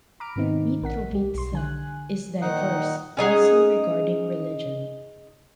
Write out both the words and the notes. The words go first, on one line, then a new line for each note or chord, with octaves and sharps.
Mitrovica is diverse also regarding religion.
A#5 B5 D6 F6 D7
G#2 C3 D#3 B3 C4 D#4
A#1 A#4 F#5 B6
C2 G4
B1 C6
D3 G#5 F#6
A#2 D#3 D#4 F#5
C#4 D#4 G#4 F#5